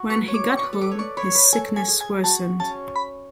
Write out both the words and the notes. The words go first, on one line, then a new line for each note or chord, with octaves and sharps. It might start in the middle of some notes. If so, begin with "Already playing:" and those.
When he got home his sickness worsened.
Already playing: F#4
B4 C#6
C#5
D6
D5
C#6
B4
A4
B4 D6
C#5
D5 C#6
C#5 B5
B4 B5
A4 G#5
G#5
G#4
G#5
F#4 A5
C#4 A5
B5